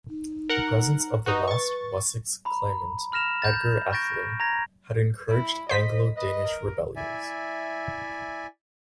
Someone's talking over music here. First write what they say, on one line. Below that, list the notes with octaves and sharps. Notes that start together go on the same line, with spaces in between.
The presence of the last Wessex claimant, Edgar Atheling, had encouraged Anglo-Danish rebellions.
D#4
A#4 F#5
D#4 F#4 B4
C#6 A6
A#5 B5
B5 F6 A#6 E7 F7
G6 A6
C#6 G6 A6 A#6 D7
A#5 G#6 A#6
E4
C5 D#5 B6
B4 D#5
A#4
E4 D5 E5 G#5